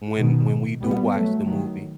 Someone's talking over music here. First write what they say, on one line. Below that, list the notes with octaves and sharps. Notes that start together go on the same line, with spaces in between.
when when we do watch the movie
B2 D#3
G3 B3
F#3 A3
D#3 F#3